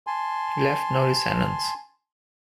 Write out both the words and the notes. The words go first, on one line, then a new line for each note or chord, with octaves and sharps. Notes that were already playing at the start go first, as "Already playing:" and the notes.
He left no descendants.
G#5 A5 C6